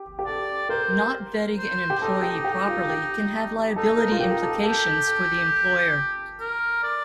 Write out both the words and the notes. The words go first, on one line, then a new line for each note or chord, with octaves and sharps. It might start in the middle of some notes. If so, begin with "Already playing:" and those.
Not vetting an employee properly can have liability implications for the employer.
Already playing: G4
G4
A4 D5
A#4 C5
C5
G4
D#4 A4
G4
G4
F4
G4
D#4 A4
A#4
F4
D#4 G4
G4
A4
G4 A4
A4
A#4
D5